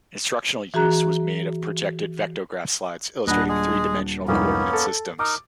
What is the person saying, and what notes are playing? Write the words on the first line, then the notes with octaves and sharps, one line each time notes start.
Instructional use was made of projected vectograph slides illustrating three-dimensional coordinate systems.
E3 F#4 G#4 A#5 F#6
D#1 D4 G#4 B4 D#5 F#5
G#3 G#4
C2 F2 G#2 A#3 B3 C#4
A4
D#4 A#4 D6